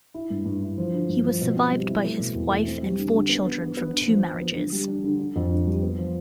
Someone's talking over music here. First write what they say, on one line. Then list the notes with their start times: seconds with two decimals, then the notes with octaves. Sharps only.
He was survived by his wife and four children from two marriages.
0.14 E4
0.30 G2
0.45 G2
0.62 E4
0.78 F3
0.93 D3
1.09 G2
1.25 F3
1.41 B2
1.56 C4
1.72 G3
1.87 E4
2.04 A3
2.19 B2
2.35 E2
2.50 A3
2.67 C4
2.83 G3
2.99 D3
3.14 D3
3.29 B3
3.46 B3
3.62 B3
3.77 B3
3.93 D4
4.08 F3
4.24 F3
4.41 B3
4.56 D3
4.73 G3
4.88 D4
5.04 D3
5.19 D4
5.36 F2
5.50 D3
5.67 G3
5.83 B3
5.98 F3